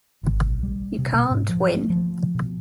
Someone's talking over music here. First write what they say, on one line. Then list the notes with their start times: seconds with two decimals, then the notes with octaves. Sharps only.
You can't win.
0.23 G#1
0.47 B1
0.63 G3
0.98 C3
1.14 B2
1.31 G#2
1.49 F3
1.75 A3
1.90 F3
2.35 B2